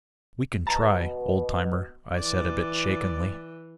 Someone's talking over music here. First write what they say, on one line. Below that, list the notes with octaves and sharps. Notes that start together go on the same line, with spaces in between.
"We can try, old-timer," I said, a bit shakenly.
B2 A5 A#5
E3 D5